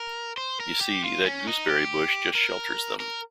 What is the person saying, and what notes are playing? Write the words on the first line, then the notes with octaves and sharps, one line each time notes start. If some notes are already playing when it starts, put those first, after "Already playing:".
You see, that gooseberry-bush just shelters them.
Already playing: A#4
C5
A#4
G4
F4
C#4
D#4
G4
A#4
A#4